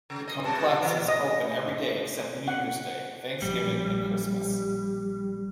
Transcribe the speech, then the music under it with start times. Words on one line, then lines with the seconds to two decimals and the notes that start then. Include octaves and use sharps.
The complex is open every day except New Year's Day, Thanksgiving and Christmas.
0.10 C#3
0.28 D#5
0.43 B2 G3
0.82 E3
1.08 D#5
2.48 F#5
3.42 A#1 G3